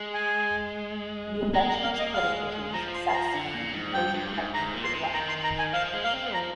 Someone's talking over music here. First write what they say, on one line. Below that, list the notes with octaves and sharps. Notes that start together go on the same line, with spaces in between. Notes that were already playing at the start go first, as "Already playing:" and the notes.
The invention was critical to the success of the implosion-type nuclear weapon.
Already playing: G#3
G#5
G#3 A#5
A#5
A#3
F5
A#3 D#5
G#3 F5
F3 A#5
C6
C6
A#5
D3
A#2
G#2
G2 G5
G2
G#2
G#2 A#5
A#2
C6
C3
D#3 A#5
C6
A#5
G#5
F3 F5
G#3
A#3 F5
C4
F3 A#5